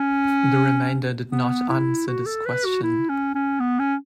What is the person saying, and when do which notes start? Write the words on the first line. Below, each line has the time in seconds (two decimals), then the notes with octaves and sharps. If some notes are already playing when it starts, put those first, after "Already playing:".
The remainder did not answer this question.
Already playing: C#4
1.31 B3
1.69 E4
2.08 F#4
2.26 A4
2.46 B4
2.65 F#4
2.83 E4
3.09 C#4
3.35 C#4
3.60 B3
3.79 C#4